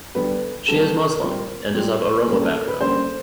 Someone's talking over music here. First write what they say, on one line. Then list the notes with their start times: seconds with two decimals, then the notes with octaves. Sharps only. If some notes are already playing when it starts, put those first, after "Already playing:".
She is Muslim, and is of Oromo background.
0.15 D3 G3 B3 B4
0.68 D3 G3 B3 A4
1.21 A#2 G3 C4 A#4
1.75 A#2 G3 C4
2.27 D3 G3 A#3 C#4 A#4
2.41 A4
2.54 A#4
2.68 B4
2.81 D3 G3 A#3 C#4 C5